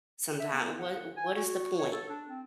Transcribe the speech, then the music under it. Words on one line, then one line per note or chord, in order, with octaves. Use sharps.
sometimes. What what is the point?
E5
B3
F#5
G#5
F#4
C#5
A4
D4
C4